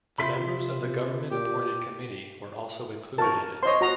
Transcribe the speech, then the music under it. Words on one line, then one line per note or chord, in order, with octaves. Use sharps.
The members of the government appointed committee were also included in it.
C3 F4 E5 B5 C6 B6
A#2 G4
A#4 A5 C#6
C5 C#5 D#5 C6
F#4 A#5